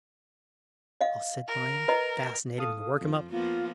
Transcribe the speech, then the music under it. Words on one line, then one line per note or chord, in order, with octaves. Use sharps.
I'll sit by him, fascinate him and work him up.
D#5 F5
A#4
B4 D#5 A#5
A4 F5 D#6
F2 F3
F3 A#3 B3 F4